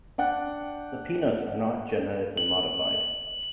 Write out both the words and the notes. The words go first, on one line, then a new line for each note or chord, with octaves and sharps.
The peanuts are not genetically modified.
D4 F#5 G5 F#6
F#7